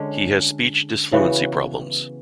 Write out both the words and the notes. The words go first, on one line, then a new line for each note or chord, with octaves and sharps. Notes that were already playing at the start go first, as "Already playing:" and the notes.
He has speech disfluency problems.
Already playing: D3 G#3 C#4
C#3 E3 B3 F#4